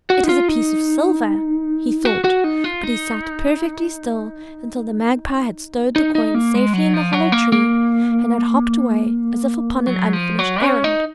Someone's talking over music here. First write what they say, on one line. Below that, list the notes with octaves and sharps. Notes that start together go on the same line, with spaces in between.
"It is a piece of silver!" he thought, but he sat perfectly still until the Magpie had stowed the coin safely in the hollow tree and had hopped away as if upon an unfinished errand.
F#4
D#4
F4
D#4
F#4
F#4
D#4
F4
D#4
D#4
D#4
A#3
G#3
F#3
F3
F#3
A#3
A#3
F#3
F3
F#3
C#4
D#4